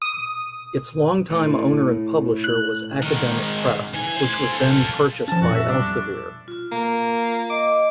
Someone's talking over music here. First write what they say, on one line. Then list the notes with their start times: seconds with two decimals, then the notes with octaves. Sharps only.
Its longtime owner and publisher was Academic Press, which was then purchased by Elsevier.
0.02 D#6
1.30 A2
2.44 F#6
3.02 G#2 D#3
3.94 E3 G#5
4.17 C5 G#5
4.52 F4 A4
5.28 F3 C#4 A5
5.42 F2 A#2 F#4
5.55 E5
5.68 G3 D4
6.48 F4
6.72 A#3
7.50 D#5 D6